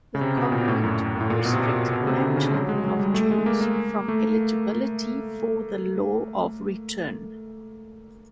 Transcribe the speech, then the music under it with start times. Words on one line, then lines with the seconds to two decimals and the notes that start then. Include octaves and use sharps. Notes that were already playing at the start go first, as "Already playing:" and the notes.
The covenant would restrict grandchildren of Jews from eligibility for the Law of Return.
0.15 C#3
0.21 C3
0.37 B2
0.52 A#2
0.68 A2
0.83 F#2
1.21 A2
1.30 A#2
1.45 B2
1.53 C3
1.60 B2
1.76 B2
1.92 B2
2.01 C#3
2.07 C3
2.22 D3
2.37 C#3
2.54 F#3
2.69 G#3
2.84 F#3
2.99 G3
3.14 A3
3.31 G#3
3.46 A#3
3.61 A#3
4.08 A3